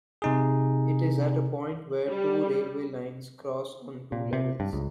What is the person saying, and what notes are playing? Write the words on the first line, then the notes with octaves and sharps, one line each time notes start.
It is at a point where two railways lines cross on two levels.
C3 D#4 G#4
G3
A#2
C3
G2
C#2